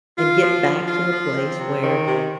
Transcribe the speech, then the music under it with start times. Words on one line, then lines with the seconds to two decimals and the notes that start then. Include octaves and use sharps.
and get back to a place where
0.17 F4
0.41 F3
0.64 F3
0.88 F4
1.11 F3
1.36 C4
1.59 C3
1.82 D#3
2.06 C3